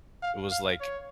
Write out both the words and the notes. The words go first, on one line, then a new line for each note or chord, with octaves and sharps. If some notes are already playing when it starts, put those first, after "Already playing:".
it was, like,
F5
F5
C#5